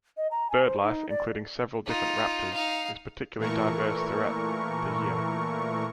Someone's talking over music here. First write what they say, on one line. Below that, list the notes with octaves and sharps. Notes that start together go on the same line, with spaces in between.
Bird life, including several different raptors, is particularly diverse throughout the year.
D#5
A#5
G#5
C5
D#4
D5
D#4 F4
D#4 F5
A#2 E3 A3 A#4 C#6